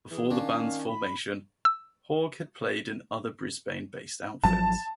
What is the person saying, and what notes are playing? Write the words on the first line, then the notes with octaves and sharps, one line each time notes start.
Before the band's formation, Haug had played in other Brisbane-based outfits.
E3 G#4
D#3 C#4 D4 F5
B5
E6
G#1 F3 F#3 A5